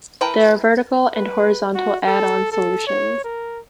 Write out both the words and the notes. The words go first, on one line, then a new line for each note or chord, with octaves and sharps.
There are vertical and horizontal add-on solutions.
E3 A#4 B4 G5 A5
B4
F#4
A4
A4
C#5
A#4